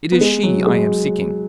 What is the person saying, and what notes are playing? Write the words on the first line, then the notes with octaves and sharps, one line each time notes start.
It is she I am seeking.'
B3
G#3
F#3
G#3